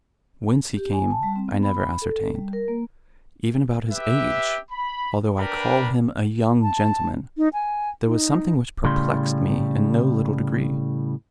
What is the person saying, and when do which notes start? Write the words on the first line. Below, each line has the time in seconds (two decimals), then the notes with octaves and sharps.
Whence he came, I never ascertained. Even about his age--although I call him a young gentleman--there was something which perplexed me in no little degree.
0.77 G4
0.93 G#5
1.11 A5
1.23 G3
1.36 C4
1.48 B3
1.63 B5
1.82 B5
2.02 A4
2.35 G3
2.53 A#4
2.68 A#3
3.92 G4 B4 E5
4.70 B5
5.38 D4 A#4 B4 G5 B5
6.62 A5
7.38 D#4
7.53 G#5
8.07 D#4
8.84 A2 C#3 G3 C6